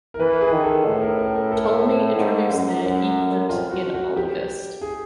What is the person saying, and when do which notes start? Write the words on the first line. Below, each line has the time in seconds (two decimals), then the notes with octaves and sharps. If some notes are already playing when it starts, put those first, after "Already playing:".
Ptolemy introduced the equant in "Almagest".
0.14 A#4
0.19 E3 B4
0.41 G#4
0.53 D#3
0.63 A4
0.86 A2
1.02 A#4
1.19 A#4
1.35 A#4
1.52 A4
2.17 G#2
2.51 F#2
2.83 F#2
3.49 F2 F4
3.71 F#4
3.94 F#4
4.16 G4
4.81 G#4